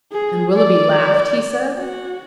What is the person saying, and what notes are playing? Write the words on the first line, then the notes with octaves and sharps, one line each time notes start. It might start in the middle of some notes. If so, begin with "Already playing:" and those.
"And Willoughby laughed?" he said.
G#4
D5
F#4